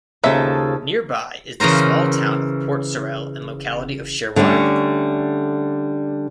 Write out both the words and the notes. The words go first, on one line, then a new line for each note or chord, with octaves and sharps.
Nearby is the small town of Port Sorell and locality of Shearwater.
D#2 C#3 F3 D#4 A4 E5
C#3 E3 C#4 A#4 C5
D3 G3 A3 C#4